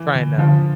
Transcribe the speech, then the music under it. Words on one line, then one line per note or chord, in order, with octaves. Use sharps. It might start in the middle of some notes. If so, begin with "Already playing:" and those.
trying to
Already playing: E3
D3
D3 F3